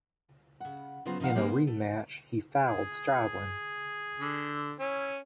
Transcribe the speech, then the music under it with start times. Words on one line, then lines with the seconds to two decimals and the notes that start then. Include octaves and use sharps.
In a rematch, he fouled Stribling.
0.60 C#3 F#5
1.05 C#3 F#3 B3 F4 C5
1.20 B2 F3 D#4 F5 F#5
1.35 G3 G#3 A#3 C4 G4 G#4
1.48 B3 C5
1.67 A3
2.67 G#4
4.19 D3
4.79 C#4 E4